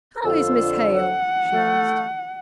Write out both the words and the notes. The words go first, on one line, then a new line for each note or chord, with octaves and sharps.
'How is Miss Hale?' she asked.
F2 D3 F4 E6
F#5
A3